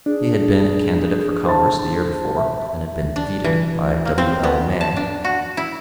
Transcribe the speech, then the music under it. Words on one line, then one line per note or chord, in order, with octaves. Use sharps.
He had been a candidate for Congress the year before, and had been defeated by W. L. May.
D4 G#4
C5 A5
E5
D4
E3
A#3
C4
B3
A5
D4
F#4
E4